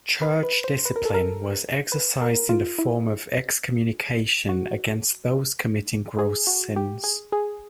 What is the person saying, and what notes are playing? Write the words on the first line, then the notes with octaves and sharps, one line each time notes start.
Church discipline was exercised in the form of excommunication against those committing gross sins.
B4
B4
C5
B4
A#4
A4
A#4
B4
A#4
F4
E4
F#4
G#4
F#4
G4
G#4
G#4